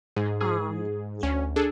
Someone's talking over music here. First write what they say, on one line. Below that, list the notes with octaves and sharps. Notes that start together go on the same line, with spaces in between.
Um, yeah
G#2 G#4
G#4
D2 C#4
D4 G#4 A4